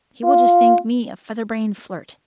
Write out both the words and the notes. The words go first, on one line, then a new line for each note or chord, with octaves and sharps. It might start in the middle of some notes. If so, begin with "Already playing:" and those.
He will just think me a feather-brained flirt.
F4